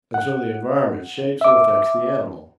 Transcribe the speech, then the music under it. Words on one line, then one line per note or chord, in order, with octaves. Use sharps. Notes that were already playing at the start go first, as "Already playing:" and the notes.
And so the environment shapes and affects the animal.
F#5
E5 D6